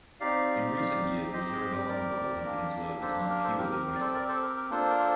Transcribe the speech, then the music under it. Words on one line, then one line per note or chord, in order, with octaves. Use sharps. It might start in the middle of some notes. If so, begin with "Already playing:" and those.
In recent years the cerebellum's role has been observed as not purely motor.
C4 D#4 G4 D5 F5
D5 F5
C4 G4 C5 D#5
A#4 D5
A#3 D4 G4
A4 C5
A#4
A4 C5
C4 G4 A#4
A#4
A#4
D5
A4 C5
A#4 D5
A4 C5
A#4
A#4
A#3 D4 F4 A4 C5
A#4
A4 C5